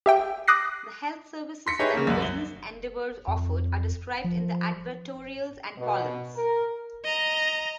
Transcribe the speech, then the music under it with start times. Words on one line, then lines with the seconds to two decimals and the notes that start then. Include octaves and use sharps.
The health services that business endeavors offered are described in the advertorials and columns.
0.06 G4 E5 G5
0.48 D6 D#6 F#6 A#6 C7
1.67 C6 B6 C#7
1.79 D#4 G4 G#4 B4 C#5 E5
1.94 C#3 A#3
2.07 C2 F#2
2.22 G7
3.28 F2
4.24 F3
5.78 B2
6.36 A#4
7.04 D#5 A#5